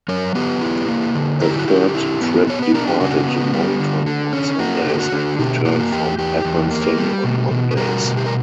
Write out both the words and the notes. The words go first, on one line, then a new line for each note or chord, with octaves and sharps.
A third trip departed Moncton on Sundays and returned from Edmundston on Mondays.
F#3 A#4 C#5
B3 G4 B4
E4
A#3
D3
E4 A#4
G4
F#4
D3 G4
E4
B3
B3 C#5
B4
D4 A#4
G4
C#3 F#4
B3
G3
D3
D3
C#4
A#3 F#4
D3 G4
F#4
D3
B2 G4
A#3 F#4
E2 G4
E2 G4
E2
A#3
G3
B2
B2
B4
G3 F#4 A#4
B2
G4
A#4